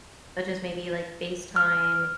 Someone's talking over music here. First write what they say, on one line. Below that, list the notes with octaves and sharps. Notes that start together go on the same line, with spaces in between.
such as maybe, like, FaceTime
F6